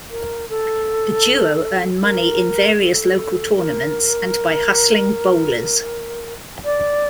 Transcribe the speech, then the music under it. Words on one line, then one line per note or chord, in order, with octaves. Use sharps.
The duo earn money in various local tournaments and by hustling bowlers.
A#4
A4
A#4
A4
A#4
D5